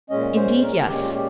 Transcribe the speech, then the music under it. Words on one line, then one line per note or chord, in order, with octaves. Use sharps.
'Indeed, yes.
A#2 G#3 C#4 D#5
C5
A#4
A#2 G#3 C#4 G4
F4
G4